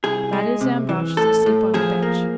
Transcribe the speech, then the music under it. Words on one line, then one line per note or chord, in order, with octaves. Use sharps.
That is Ambrosch, asleep on the bench.
C2 G#4
G#3
C3
E3
A2 A4
A2
F3 G#4
A#3